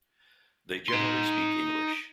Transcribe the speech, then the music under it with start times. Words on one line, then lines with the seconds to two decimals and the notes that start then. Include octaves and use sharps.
They generally speak English.
0.88 D#4 C6